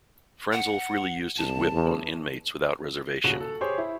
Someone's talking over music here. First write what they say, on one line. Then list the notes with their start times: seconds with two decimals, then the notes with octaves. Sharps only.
Frenzel freely used his whip on inmates without reservation.
0.52 F#5
1.38 C2 A5
1.72 E2
3.24 D#1 C#3 F#4 F#7
3.40 A4
3.61 G4 G#4 C5 C#5
3.78 E4